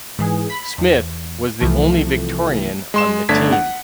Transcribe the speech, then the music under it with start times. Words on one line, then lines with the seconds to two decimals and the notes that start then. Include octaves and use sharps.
Smith was the only Victorian on the team.
0.19 G#2 E3 G#4
0.50 B5
0.78 E2
1.61 C2 E3 F3 A3
2.94 G#3 C6 E7
3.29 G1 A3 D4 G#6 B6
3.52 F#5